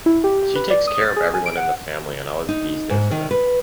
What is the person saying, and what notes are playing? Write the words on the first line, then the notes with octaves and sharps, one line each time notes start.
She takes care of everyone in the family and always bees there for them.
E4
G4
G4
B4
D5
D#6
A6
G#4
G#5
D7
F#5
D#4
G#2
D#3
B4